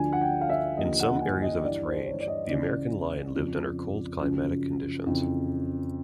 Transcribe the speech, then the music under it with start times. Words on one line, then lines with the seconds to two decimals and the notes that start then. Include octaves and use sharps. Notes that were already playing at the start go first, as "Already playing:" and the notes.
In some areas of its range, the American lion lived under cold climatic conditions.
Already playing: D2 D3 F3 G#5
0.13 F#5
0.21 G5
0.41 F5
0.49 E5
0.77 D#2 D3 F3 D#5
1.00 F#5
1.21 G#5
1.42 D#5
1.63 G2 E3 D5
1.85 C5
2.06 C#5
2.20 D5
2.28 D#5
2.48 C#2 C#3 E3 D5
3.34 F2 C#3 F3
4.20 F#2 C#3 F3
5.06 F2 C#3 E3